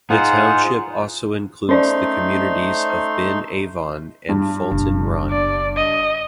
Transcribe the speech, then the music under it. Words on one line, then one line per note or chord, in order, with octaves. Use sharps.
The township also includes the communities of Ben Avon and Fulton Run.
D#4 F4 G#4 C5 F#5
A3 C#4 D#4 C5 D5 C6
G2
F#1 B2
D5
D#5